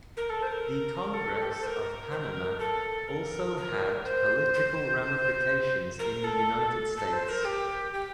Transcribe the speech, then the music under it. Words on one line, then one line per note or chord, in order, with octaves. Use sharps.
The Congress of Panama also had political ramifications in the United States.
A#4
A4
C5
A#4
A4
G4
A4
C5
A#4
C5
A#4
A4
A#4
A#4
C5
C5
A#4
A4
A4
C5
A#4
G4
G4